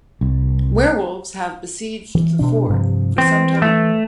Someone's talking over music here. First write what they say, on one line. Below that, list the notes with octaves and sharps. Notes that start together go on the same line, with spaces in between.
Werewolves have besieged the fort for some time.
C2
E3
B2 D4
G2 C3 F3
E3 C4
A3